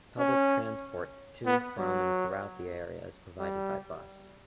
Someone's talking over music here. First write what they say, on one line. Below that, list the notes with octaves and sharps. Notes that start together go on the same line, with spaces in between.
Public transport to, from and throughout the area is provided by bus.
C#4
B3
F#3
G3